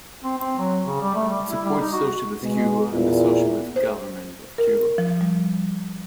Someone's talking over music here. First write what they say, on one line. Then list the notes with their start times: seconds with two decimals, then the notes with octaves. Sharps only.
It supports socialist Cuba and the socialist government of Cuba.
0.24 C4
0.38 C4
0.59 F#3
0.86 C#3
1.01 G3
1.15 A3
1.28 G3
1.49 E4
1.64 G3
1.80 D#4
1.93 F#4
2.43 B2 G#3
2.93 E2 A#2
3.76 C5
4.58 A#4
4.98 F3
5.21 G3